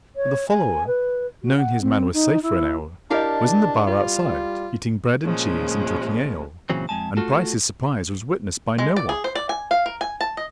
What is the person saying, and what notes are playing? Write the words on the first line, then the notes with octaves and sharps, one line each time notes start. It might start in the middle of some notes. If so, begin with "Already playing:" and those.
But the follower, knowing his man was safe for an hour, was in the bar outside eating bread and cheese and drinking ale, and Bryce's surprise was witnessed by no one.
C#5
G#5
B4
F#4
F#5
C4
D#4
E4
D4 E4 G4 A#4 D#5 F5 A5
G3 F4
A#2 C#3 F3 G#3
A#2 C#3 E3 F#3 C4
F2 G#3 G#5 A5
A3 F4 F#4 A4
G#3
D5
G#4
C5
D5
G#5
F5
A#4
G#5
A5
D#5